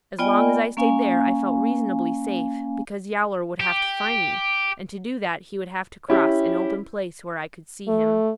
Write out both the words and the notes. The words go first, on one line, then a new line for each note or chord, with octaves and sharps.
As long as I stayed there I felt reasonably safe, because Yowler would have to find me, and to do that he would have to cross an open place where I could see him.
B3 F4 D5 D#5 G5 G#5
A#3 C#4 F5 G#5
G4
C#4 E4 G4
A3